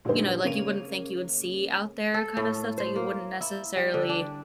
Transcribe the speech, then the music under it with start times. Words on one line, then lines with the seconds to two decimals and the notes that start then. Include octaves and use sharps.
you know, like, you wouldn't think you would see out there kind of stuff that you wouldn't necessarily
0.05 A#1 D3 G3 D#4 C5
0.45 C#3 A#3 C#5 D#7 F7
2.14 A4
2.37 A2
2.78 C5
2.96 A#3
3.41 E4
3.76 G3
3.94 D3
4.09 D4